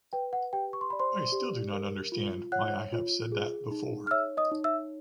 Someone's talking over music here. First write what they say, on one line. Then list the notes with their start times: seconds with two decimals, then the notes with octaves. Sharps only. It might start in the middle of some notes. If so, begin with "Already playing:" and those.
I still do not understand why I have said that before.
0.13 B4 G5
0.33 F#5
0.53 G4 G5
0.73 C#6
0.81 C6
0.90 D5 B5
1.00 C5 C6
1.32 G4
1.73 A#4
2.12 F4
2.52 C#5 F#5 F#6
2.92 F4
3.32 G#4
3.71 D#4
4.07 F6
4.11 C#5 E5 E6
4.37 D#5 D#6
4.51 D#4
4.64 E5 E6